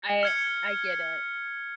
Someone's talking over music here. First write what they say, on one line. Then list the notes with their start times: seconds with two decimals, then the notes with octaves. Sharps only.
I I get it.
0.23 F6 G#6 C#7